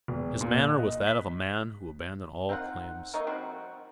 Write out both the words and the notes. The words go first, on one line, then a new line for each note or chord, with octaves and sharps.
His manner was that of a man who abandoned all claims.
E1
A#2
F#6
D#5
B6
C4 D#4 F4 F#5
A3 A#3 D#4 C#5
F3 G3 C4 F#4